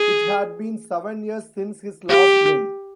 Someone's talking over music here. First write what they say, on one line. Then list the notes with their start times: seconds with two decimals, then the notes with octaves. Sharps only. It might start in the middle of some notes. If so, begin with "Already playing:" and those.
It had been seven years since his last win.
Already playing: G#4
2.09 G4